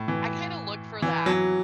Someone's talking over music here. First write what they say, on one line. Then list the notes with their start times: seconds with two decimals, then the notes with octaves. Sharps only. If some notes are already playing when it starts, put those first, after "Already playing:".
I kinda look for that
Already playing: A2
0.08 E3
1.02 E3
1.26 F#3